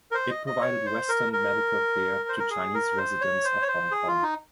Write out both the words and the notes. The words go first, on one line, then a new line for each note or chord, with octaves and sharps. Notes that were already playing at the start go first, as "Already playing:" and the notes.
It provided Western medical care to Chinese residents of Hong Kong.
A#4
C5
D#5
D#5
C#5
C5
A#4
A#4
C5
A#4
G#4
A#4
C5
C#5
C5
C#5
C5
G#4
F4
D#4